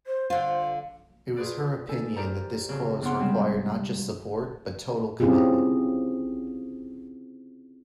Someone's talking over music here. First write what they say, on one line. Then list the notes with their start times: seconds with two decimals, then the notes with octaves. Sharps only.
It was her opinion that this cause required not just support but total commitment.
0.06 C5
0.30 D3 F4 C5
1.37 F4 G#4 B4 D5
1.88 D#4 A4 G#5
2.16 G4 A#4 C5 D5 A#5
2.69 F2 C#3
3.02 C#3 B3 D4 F5 F#5 C6
3.19 C3 G3 G#3 C4
5.20 C4 C#4 E4 F4 G4 G#4